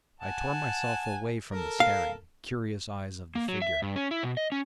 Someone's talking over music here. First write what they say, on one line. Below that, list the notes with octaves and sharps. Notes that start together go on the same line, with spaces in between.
I tore myself away from the staring, curious eyes of the figure.
F#5 G#5 A5
A4 A#4
F5
A#3
F#3
E5
G2
C#4
E4
B2
D#5
C#4